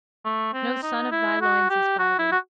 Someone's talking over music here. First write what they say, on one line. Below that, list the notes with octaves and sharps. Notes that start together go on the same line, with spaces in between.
No son of thy loins is by thee.
A3
C4
D#4
E4
F#4
G4
F#4
E4
F#4